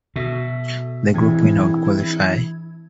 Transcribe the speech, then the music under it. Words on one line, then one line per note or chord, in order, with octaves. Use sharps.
The group winner would qualify.
B2 F#4 A4 E5
A2 E3 C4 D4 E4 G#4 G#6